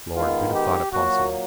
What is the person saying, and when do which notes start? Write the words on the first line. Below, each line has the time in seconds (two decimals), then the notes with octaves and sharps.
"Lord--who'd have thought it possible!"
0.16 D#3 G#3 B3 F4
0.55 G4
0.93 A#2 F#3 A#3 F#4